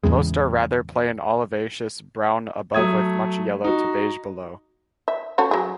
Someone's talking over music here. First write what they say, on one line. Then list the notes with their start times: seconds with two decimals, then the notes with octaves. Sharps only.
Most are rather plain olivaceous brown above with much yellow to beige below.
0.03 E2 A2 C#3 G#3
2.74 F#3 A3 D#6 G#6
3.64 D#4 F#4
5.08 E5
5.38 A3 C#4 F#4
5.51 F#3 G#4